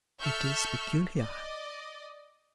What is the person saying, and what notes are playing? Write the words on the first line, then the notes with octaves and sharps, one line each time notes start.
It is peculiar.'
A4 E5 C#6 E6 F6 G6
D5 D#5